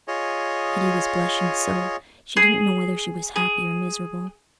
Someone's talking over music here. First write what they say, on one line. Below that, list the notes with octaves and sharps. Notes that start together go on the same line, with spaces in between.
Hetty was blushing so, she didn't know whether she was happy or miserable.
F4 G#4 C#5 D#5
G#4
G#4